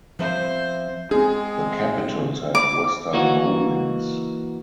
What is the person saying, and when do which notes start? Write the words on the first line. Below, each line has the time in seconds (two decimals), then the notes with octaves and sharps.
The capitals have western moldings.
0.19 F3 C4 C5 E5
1.11 G#3 C4 D4 G#4
2.55 D6
3.13 E3 A#3 D#4 F#4